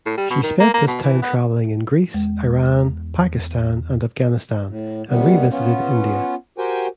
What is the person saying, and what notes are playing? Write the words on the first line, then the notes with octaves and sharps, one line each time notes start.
She spent this time travelling in Greece, Iran, Pakistan, and Afghanistan and revisited India.
A2
G3
B2
D#3
A#3
A#3
B2
E3
B3
E2 G#3
A2
D#2 C3 D#3 G3 B3
B3 C#4 F4
F#4 G4 A#4 C5 G5 G#5